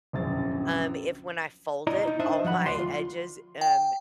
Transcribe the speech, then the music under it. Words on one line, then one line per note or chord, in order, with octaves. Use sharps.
Um, if when I fold it, all my edges, um,
D1 A#1 F#2 A6
E4 D5 D#5 A#5
D#4
D4 C5 D#5 E5
F3 F#3 F#5 B5
D2 D5 C6
F4
G5